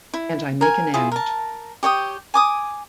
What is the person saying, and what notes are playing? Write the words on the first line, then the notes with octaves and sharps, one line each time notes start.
And I make an end.
E4
A#4 G#5
E4 F4 G#4
A#4 A5
G4 C#5 G5 D#6
G#5 D6 D#6